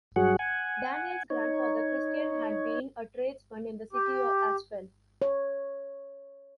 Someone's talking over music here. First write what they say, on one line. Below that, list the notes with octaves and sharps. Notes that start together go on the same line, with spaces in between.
Daniel's grandfather Christian had been a tradesman in the city as well.
G2 F#3 F#4 G#4 F#5
F#5 G#5
D#4 C#5
G4
C#5